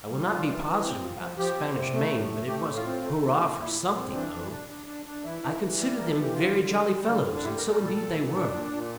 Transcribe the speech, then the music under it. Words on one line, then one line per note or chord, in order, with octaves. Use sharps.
I will not be positive about "the Spanish Main," but it was hurrah for something O. I considered them very jolly fellows, and so indeed they were.
G3
G3 F4
E3
E3
C4
F3
F3
F3 G4
C4
C3
A3
A2
A3
A3 G4
A2
F4
C4
A3
A#2
A#2
A#2 E4
A#2
C4
E3 D4
E3
D4
D4
D4
D4
E3 E4
E3
E3
G3
E3 A#4
A4
E3
G4
D3 F4
D3
G3
G3
D3
D3
D4
G3 E4
A#4
A#2
A#4
A#2
A4
A#2
A#2
D4
A#2
A#2